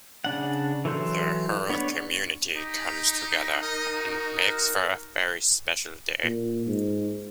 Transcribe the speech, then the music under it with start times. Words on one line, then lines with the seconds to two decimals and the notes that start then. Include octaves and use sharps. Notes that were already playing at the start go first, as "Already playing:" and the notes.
The whole community comes together and makes for a very special day.
0.24 C#3 D4 F#5
0.85 E3 F#3 A4 C6 G6
1.70 B3 D4 C#5
2.55 D#4 G4
3.62 A#4 D#5
3.96 F#4
6.24 A#2
6.67 G#2